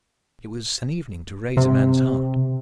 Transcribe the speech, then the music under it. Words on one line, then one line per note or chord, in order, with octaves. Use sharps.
It was an evening to raise a man's heart.
C3